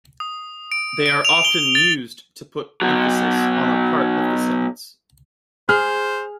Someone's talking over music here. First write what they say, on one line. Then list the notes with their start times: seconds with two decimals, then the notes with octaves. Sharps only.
They are often used to put emphasis on a part of the sentence.
0.20 D#6
0.72 D7
1.06 D7
1.25 F7
1.45 G7
1.75 A6
2.82 B2 F#3
5.69 G#4 C5 F6